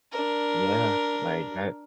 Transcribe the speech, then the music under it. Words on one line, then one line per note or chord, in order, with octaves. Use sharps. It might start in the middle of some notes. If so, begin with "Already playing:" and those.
Yeah. Like, I
D4 A#4